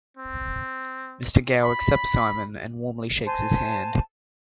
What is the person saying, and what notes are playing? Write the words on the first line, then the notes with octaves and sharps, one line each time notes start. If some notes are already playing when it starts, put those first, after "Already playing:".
Mr. Gao accepts Simon and warmly shakes his hand.
C4
B5
C5 G#5 A5